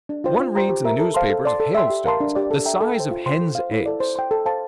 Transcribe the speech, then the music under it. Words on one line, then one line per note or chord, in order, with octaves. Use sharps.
One reads in the newspapers of hailstones the size of hens' eggs.
D4
F4 C5 G5
F4
C5 G5 A#5
G4
A#4 E5 A#5
A4
C5 F5 A5 C6
A4
D5 A5 C6
A4
E5 G5 C6
G4
A#4 F5 A5 C6
D4
G4 D5
A4
E5 G5 A#5
A4
C5 G5
F4
C5 G5 C6
A4
C5 F5
E4
A4 D5
C5
G5 C6
A4
C5 F5 A5